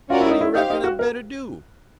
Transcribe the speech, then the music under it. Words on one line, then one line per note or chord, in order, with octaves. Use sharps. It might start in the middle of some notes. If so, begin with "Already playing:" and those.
What you reckon I better do?
C#4 F4 F#4 A#4 D5
E4
D#4
E4
D#4 G4 C5 F5
D#4
F#4
A#4